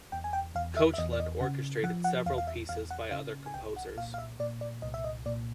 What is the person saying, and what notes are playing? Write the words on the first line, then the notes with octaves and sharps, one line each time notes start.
Koechlin orchestrated several pieces by other composers.
E2 G5
G#5
G5
E2 F5
E5
E5
E2 D#5
D5
D#5
C#3 F#5
F3 F#5
F#5
E2 F5
F5
E5
E2 F5
F#5
C#3 F5
G#5
C2 G5
F#5
A#2 F5
F5
E5
A#2 D5
D5
C2 D#5
E5
D#5
A#2 D5